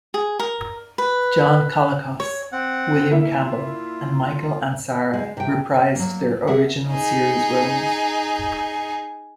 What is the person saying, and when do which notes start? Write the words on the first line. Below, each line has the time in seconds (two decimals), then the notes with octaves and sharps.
John Colicos, William Campbell, and Michael Ansara reprised their original series roles.
0.14 G#4
0.39 A#4
0.98 B4
2.20 C#5
2.52 C4 F#5
3.11 A#3 E4 E5
3.39 F4
5.14 G#3
5.37 C3 G5
5.73 C#4
5.95 F#3 A#3
6.47 G#4 A#4 E5 F#5
6.90 D#4 G#4